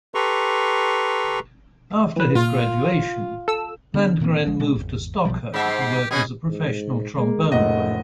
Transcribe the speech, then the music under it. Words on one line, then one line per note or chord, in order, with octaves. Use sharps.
After his graduation, Landgren moved to Stockholm to work as a professional trombone player.
G4 A4 B4 A#5 C6 C#6
E3 B4
A#2 F4
A4 E6
D3 B3 C#4 D4
A#2 D#3 A#3 C4
A#1 F3 G#3
B2 G#3 C#4 D4
G#1 E2
B1 B2 F3 G3
G#2 G4 E5
B2 C#4 G#4
G#2
G#3 A#3
F1 C#2 A2 D#5 F#5